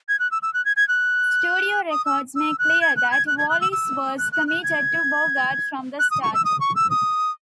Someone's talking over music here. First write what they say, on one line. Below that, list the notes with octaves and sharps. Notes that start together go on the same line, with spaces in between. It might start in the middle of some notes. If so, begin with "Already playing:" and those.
Studio records make clear that Wallis was committed to Bogart from the start.
G#6
F#6
E6
E6
F#6
G#6
G#6
F#6
D#6
E6
E6
F#6
G#6
F#6
G#6
F#6
G#6
F#6
E6
E6
F#6
F#6
F#6
G#6
F#6
D#6
C#6
E6
D#6
C#6
E6
D#6